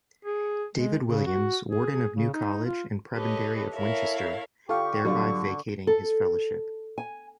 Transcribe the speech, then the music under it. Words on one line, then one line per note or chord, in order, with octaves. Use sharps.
David Williams, warden of New College and prebendary of Winchester, thereby vacating his fellowship.
G#4
G#3
C#3
F#4
G#4
C#3
D#4
F4
G4 A4 B4 C#5 D#5
E4 A4 A#4 C#5 E5 F5
D3 F4 G4 A4 F5 C#6
D3 F#3 G3 D4 F4
A4
G#5